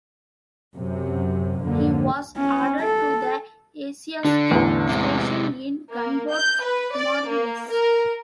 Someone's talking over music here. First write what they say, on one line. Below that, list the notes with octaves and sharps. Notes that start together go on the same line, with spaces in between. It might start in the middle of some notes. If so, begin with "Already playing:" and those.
He was ordered to the Asiatic Station in gunboat "Mariveles".
F#2 C3 F#3
F2 G#2 D3 F#3 A#3
C#4
A4
D3 D4
A1 E2
C3 G#3
A#3
G6
B4
D5
A#3
A#4